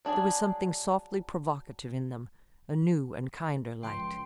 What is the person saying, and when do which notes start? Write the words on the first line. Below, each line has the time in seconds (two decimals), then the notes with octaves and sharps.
There was something softly provocative in them--a new and kinder light.
0.05 F#3 D4 E4 G#4 D5
3.83 C#2 C#3 F3 G5 C6